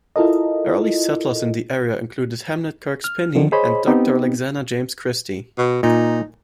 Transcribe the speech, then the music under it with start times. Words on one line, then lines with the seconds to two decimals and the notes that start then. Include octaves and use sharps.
Early settlers in the area included Hamnett Kirkes Pinhey and Doctor Alexander James Christie.
0.16 E4 F4 A4 A#4 D#5
3.04 F6
3.35 D3 D#3 F3
3.52 G#4 C5 C#5 D#5 B5
3.87 B3 C4 D#4 G4
5.58 B2
5.83 A#2 D#4